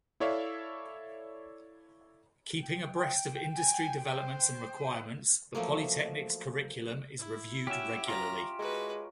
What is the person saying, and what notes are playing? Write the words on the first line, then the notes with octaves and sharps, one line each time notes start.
Keeping abreast of industry developments and requirements, the polytechnic's curriculum is reviewed regularly.
E4 A4 C#5 D5 E5 F5
G5
G#5
C5
F3 F#3 A3 A#3
E4
C#4 F#4 G4 E5
C#4 F4 A#5
G#3 F#4 A#4 B4